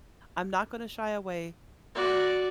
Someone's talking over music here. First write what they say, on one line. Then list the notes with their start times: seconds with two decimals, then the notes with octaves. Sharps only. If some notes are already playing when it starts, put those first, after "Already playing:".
I'm not gonna shy away
1.95 F#4 D5